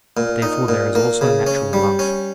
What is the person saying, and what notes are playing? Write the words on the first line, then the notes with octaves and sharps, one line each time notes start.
Therefore there is also natural love.
A#2
D#4
A#2
A#3
C#3
C#4
G3
C#4